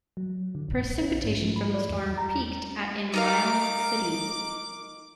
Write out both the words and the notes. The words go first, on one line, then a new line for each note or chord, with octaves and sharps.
Precipitation from the storm peaked at in Miles City.
F#3
D3
A#1
C#4
G#2
F3
B5
D5
E2
A#5
D#4 A#4 F5 D6